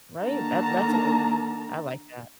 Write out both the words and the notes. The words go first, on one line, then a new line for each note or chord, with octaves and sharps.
Right. That that's a good thing. I like that.
D3 D#3 A#3 A5 A#5